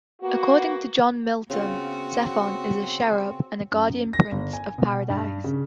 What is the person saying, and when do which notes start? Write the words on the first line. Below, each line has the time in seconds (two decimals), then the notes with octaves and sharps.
According to John Milton, Zephon is a cherub and a guardian prince of Paradise.
0.21 A#3 B3 F#4
1.50 C#3 B3 C4 F4 F#4
3.72 F#2
4.13 A#6
4.32 G1
4.53 G#5
4.78 B2
5.10 G2
5.44 C#3